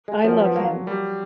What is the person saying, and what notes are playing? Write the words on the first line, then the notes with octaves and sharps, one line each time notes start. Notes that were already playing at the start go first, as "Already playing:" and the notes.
I love him.
G#3
F#2 F3
B3
F3
F#3 A#3
A#3
G3 A#3